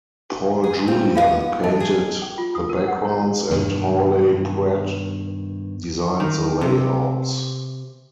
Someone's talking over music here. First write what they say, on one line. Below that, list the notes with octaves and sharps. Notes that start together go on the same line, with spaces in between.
Paul Julian painted the backgrounds and Hawley Pratt designed the layouts.
G#4
G3 C4 F4
B3 F4 A4 D#5 F5
E3 D#4 A4 D#5
G#4
G5
F4
D#6
A#4
F#5
C#5
G2 B2 D#3
D#3
C3